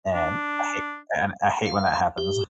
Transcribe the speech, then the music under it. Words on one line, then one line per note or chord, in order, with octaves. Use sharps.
And I hate and I hate when that happens.
D4
F5
G4